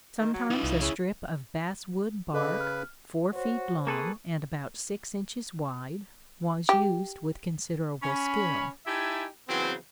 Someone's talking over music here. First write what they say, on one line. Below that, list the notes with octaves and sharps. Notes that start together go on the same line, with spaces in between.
Sometimes a strip of bass-wood bark, four feet long and about six inches wide, was used with considerable skill.
D#3
F#3
E3 D#4 F4
C2
C#2 C#3 E4
C#3 A4 B4 D#5 D6
F6
F#4 C5 C#5
A#3 G#4 A4 B4 C#6
G4
C#4 B5
D#4 E4 G4 E5 G#5 A5
C#3 E3 F#3 B3 C4